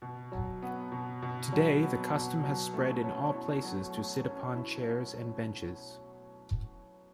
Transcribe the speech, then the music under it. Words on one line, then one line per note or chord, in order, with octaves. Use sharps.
Today, the custom has spread in all places to sit upon chairs and benches.
B2
F#3
B3
B2
B2
F#3
B3
B2
F#3
A3
C#4
E4
F#3
A3
C#4
E4